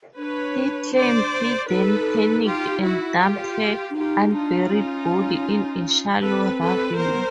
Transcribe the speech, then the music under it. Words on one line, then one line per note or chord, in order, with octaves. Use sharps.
He claimed he then panicked and dumped her unburied body in a shallow ravine.
D4 B4 C#5
C5 D5
D#4 A4 B4
F4 G4
E4 F#4
F4 G4
D4
D#4 F4 G4
D4 D#4 F4
C#4
C4 A4 B4
A4 B4
B3 A#4 C5
C4
B3